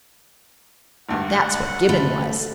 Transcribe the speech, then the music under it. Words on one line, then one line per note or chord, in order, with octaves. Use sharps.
That's what Gibbon was.
G#1 D2 G2 F#5
D3 F3 A3 B5